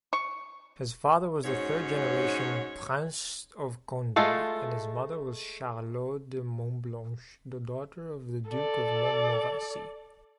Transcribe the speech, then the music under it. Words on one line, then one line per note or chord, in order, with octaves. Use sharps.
His father was the third generation Princes of Condé, and his mother was Charlotte de Montblanche, the daughter of the Duke of Montmorency.
C#6
G#2 C#4 F#4 C#5
G#3 A3 F4 A4
A4 D5